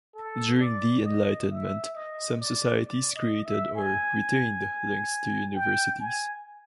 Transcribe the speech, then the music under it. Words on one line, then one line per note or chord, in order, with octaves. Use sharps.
During the Enlightenment, some societies created or retained links to universities.
A4
D5
D#5
E5
D#5
D5
D5
D#5
E5
G#5
G5
G#5